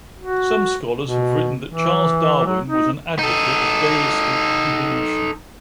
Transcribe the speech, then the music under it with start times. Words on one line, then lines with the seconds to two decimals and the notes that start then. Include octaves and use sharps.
Some scholars have written that Charles Darwin was an advocate of deistic evolution.
0.20 F#4
1.03 B2
1.68 E3
2.46 F#3
2.67 D#4
3.19 D#4 A4